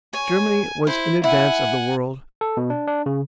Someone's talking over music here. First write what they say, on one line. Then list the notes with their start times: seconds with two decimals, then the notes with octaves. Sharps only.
Germany was in advance of the world.
0.13 C#5 G#5
0.87 E4 C5
1.24 E4 F#5 G#5
2.41 A4
2.57 B2
2.70 D4
2.87 D4
3.06 C#3